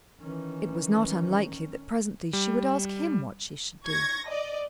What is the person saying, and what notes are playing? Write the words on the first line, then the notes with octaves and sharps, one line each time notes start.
It was not unlikely that presently she would ask him what she should do.
D#3 E3 C#4
G3
C#6 G#6 A#6
D5 D#5